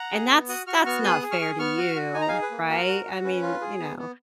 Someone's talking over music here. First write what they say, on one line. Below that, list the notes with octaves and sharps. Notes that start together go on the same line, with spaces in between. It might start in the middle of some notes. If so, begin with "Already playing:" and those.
and that's that's not fair to you, right? I mean, you know,
Already playing: F#5 A#5
G#4
B3
F#4 D#6 F#6
F#4 C#6 F6
B3 C#6 F6
G#4 D#6 F#6
G#4
C#6 F6
G#4
B3 C#6 F6
F#4
F#4
D#4 G#5
A#5
G#4 F5 G#5
B4
A#3
F#4 A#4
F#4
F#4
C#4 B4
F4
G#4
B3
B3